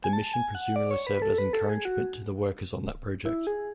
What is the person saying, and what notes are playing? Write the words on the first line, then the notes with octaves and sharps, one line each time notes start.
The mission presumably served as encouragement to the workers on that project.
G#5
A5
G#5
F#5
D5
C#5
B4
B4
A4
B4
A4
G#4
F#4
E4
G#4